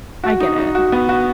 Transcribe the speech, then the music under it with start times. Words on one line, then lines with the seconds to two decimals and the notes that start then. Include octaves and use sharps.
I get it.
0.24 F#4
0.41 D#4
0.58 D#4
0.75 F#4
0.92 B3
1.09 F#4